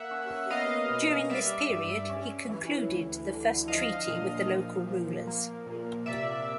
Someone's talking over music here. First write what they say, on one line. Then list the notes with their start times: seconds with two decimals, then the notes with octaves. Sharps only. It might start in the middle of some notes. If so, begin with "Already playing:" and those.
During this period, he concluded the first treaty with the local rulers.
Already playing: A#3 E5 F#5
0.11 C#4
0.50 B3 D#5 F5
0.90 B2
1.29 G3 D5 E5
1.70 G2
2.09 C#4
2.49 E3
2.89 D2
3.29 D3
3.68 F3 D#5 F5
4.07 A#2
4.48 F3
4.87 F3
5.27 A#3
5.66 A#2
6.06 C3 D5 E5